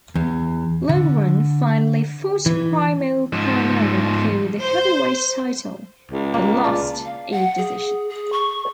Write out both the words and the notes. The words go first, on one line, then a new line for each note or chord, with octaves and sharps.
Loughran finally fought Primo Carnera for the heavyweight title but lost a decision.
E2
D3
E3
G#2 F3
C5
C#2
A#3
D4 F4
F5
F#5
G#4
G#4
C#6